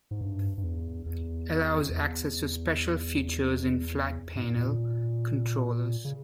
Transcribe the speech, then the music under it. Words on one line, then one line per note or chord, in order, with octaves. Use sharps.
Allows access to special features in flat panel controllers.
G#2
G2
G2
E2
E2
E2
G#2
A#2
C#3